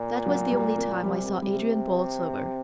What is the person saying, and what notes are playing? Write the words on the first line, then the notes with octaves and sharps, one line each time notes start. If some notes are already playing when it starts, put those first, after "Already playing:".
That was the only time I saw Adrian Borlsover.
Already playing: A#2
F#3
G3
A#3
C3 G3
C3 G3